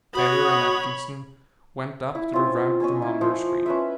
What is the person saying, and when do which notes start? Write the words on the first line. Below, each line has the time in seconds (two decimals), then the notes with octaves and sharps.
Taylor and Atkinson went up to the Ramp thermometer screen.
0.14 F#4 C#5 B5 D#6
2.15 E4
2.33 C4 C#4 F4
2.80 C#4 D#5 G#5 E6
3.02 E4
3.21 F3 C5
3.66 C#4 B4 E5